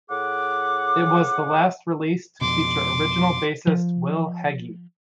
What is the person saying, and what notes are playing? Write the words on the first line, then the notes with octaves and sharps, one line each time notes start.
It was the last release to feature original bassist Will Heggie.
A2 G#4 F#5 D6
F2 B2 C6 D6
F3